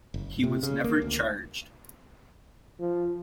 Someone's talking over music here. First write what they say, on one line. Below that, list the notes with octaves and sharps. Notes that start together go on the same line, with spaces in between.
He was never charged.
F#1
C3
C#3
A#3
D2
F3